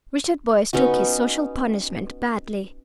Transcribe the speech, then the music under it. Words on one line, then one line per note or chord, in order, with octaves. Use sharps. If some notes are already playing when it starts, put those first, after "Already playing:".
Richard Boyce took his social punishment badly.
B3 C#4 D#4 F#4